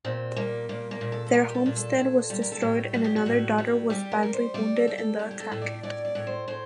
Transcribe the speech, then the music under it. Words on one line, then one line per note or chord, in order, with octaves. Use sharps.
Their homestead was destroyed and another daughter was badly wounded in the attack.
A#2 C4
G3 A#3
A#2 A#3
A#3
A#2
A4
A4
G3 A#4
G4
A4
A#2
A4
A#2
G3
A#4
A4
A2 G4
G3 F#4
G4
F#4
A2
G3
G3 G4
A#4
G3
C5
G3 D5
A4
G3
A4
A2 G4
G4
A4
A2
D5
A2 D5
D5
A2
C5
A2 C5